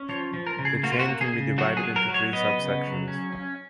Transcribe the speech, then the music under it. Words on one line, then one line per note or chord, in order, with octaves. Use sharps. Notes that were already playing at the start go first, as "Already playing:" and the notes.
The chain can be divided into three subsections.
Already playing: C#4
F3 C#5
F3
A#4
C#3
G#4
A#3 F#4
F4
F#4
A#3
G#4
C#3
F#3 F#4
G#4
F#3
A#4
F#3
C#5
B3 D#5
C#3
F#3
C#4
C#4